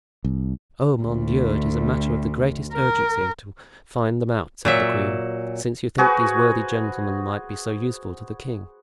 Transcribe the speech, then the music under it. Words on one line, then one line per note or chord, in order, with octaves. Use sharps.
"Oh, mon Dieu, it is a matter of the greatest urgency to find them out," said the queen, "since you think these worthy gentlemen might be so useful to the king."
C2
D2
A#4
A#2 F#3 E5
F#4 G#4 B4 C5